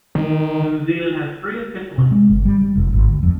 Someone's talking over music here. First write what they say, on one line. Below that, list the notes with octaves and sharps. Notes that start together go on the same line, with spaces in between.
New Zealand has three official languages.
D#3
C3
G#3
G1
G3
G3
F1
G#1
D2
F2